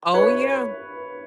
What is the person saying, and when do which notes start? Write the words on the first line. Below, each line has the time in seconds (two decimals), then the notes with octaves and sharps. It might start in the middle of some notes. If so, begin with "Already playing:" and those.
Oh, yeah.
0.14 B4 C#5